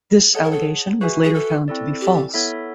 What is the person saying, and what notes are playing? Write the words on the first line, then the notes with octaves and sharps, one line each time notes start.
This allegation was later found to be false.
G#4 A4 C#5 F#5 A5
A#4
A4
F#4 G#4 B4 E5 G#5
G#4
A4
C4 E4 A4 D5
G4
B3 E4 A4 C#5 E5